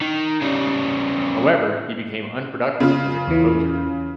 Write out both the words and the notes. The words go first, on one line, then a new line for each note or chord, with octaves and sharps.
However, he became unproductive as a composer.
D#3
C#3 G3
C#3 F4
E2 E3